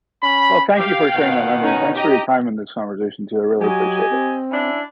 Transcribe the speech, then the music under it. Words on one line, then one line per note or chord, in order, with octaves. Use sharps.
Well, thank you for sharing that memory and thanks for your time in this conversation too, I really appreciate it.
C#4 B5
G4 F5 G5
B2 D#3 F#5
C#4 D#4
G4 D#5 A#5
F#3 G4 D#5 G#5
C4
C#4 D4 E4